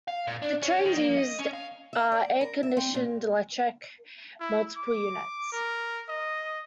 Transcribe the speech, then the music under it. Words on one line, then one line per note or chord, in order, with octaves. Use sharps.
The trains used are air-conditioned electric multiple units.
F5
A#2
D4
C#4
D#3
A#3
D#5
C#4
F5
E5
D5
A#4
E5
C4
A#2
E4
D6
A#4
D#5